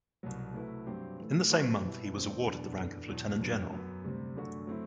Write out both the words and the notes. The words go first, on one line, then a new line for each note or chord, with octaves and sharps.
In the same month he was awarded the rank of Lieutenant General.
C2 B2 F#3
C3 F#3 A3 E4 B4
G2 F#3 C4 G4 C5
A2 E3 A3
F#3 C4 F#4 B4
B2 G3 B3 E4
E2 D3 A3 C4
E2 B2 F#3 B3 D4
E3 B3 D4 A4
E2 B2 F#3
F#2 D3 F#3 B3
F#2 F#3 B3
D2 C3 G3 C4
F#2 D3 A3 D4 F#4
F#3 A3 C4 E4